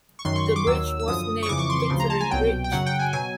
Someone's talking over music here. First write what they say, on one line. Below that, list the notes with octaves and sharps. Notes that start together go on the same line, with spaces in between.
The Bridge was named "Victory Bridge".
C#6
F#2 D#3 F#3 C6
C#6
C#6
D6
D#2 D#3 F#3 E6
E6
F#2 D3 F3 D#6
C#6
F2 C#3 E3 D6
C#6
C6
C#6
D2 C#3 F3 C6
A#5
A5
G#5
C2 B2 F#3 G5
G5
F#2 C#3 F#3 F#5
G5
G#5
B2 F#3 G#5